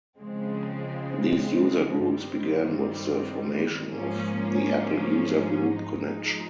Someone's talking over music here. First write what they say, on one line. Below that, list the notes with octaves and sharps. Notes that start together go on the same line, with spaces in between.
These user groups began with the formation of the Apple User Group Connection.
C#3 F3 G#3 C4
G2 D#3 G3 C4
G#2 F3 A#3 C#4
F3 G#3 D#4